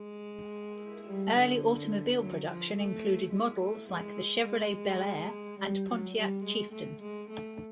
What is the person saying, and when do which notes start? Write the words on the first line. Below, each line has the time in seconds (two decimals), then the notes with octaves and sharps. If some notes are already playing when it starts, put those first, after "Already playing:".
Early automobile production included models like the Chevrolet Bel Air and Pontiac Chieftain.
Already playing: G#3
1.06 G3
1.35 D3
2.19 F#3
2.48 F3
2.75 A3
3.32 G#3
3.61 A3
3.89 G#3
4.45 G#3
5.59 G3
5.87 F#3
6.16 G3
6.44 G#3
6.72 A3
7.01 G#3
7.29 A3